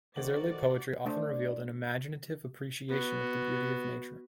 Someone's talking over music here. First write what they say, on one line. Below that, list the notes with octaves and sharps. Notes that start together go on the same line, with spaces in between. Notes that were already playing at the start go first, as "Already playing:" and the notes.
His early poetry often revealed an imaginative appreciation of the beauty of nature.
D#3 F#4 A4 A#4 C5 D5 F#5 F#7
A3 D4 C5 D5
B3 F#4